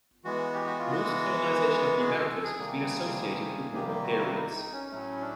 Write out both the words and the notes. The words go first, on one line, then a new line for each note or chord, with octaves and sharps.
Norse colonization of the Americas has been associated with warmer periods.
E3 G#3 B3 F#4
G4
F#4
F4
F#4
G#4
A4
A4
G#4
C3 D#3 G3 A#3
G4
G4
F#4
E4
D#4
D#4
C#4
A2 F#3 A3 C#4
D4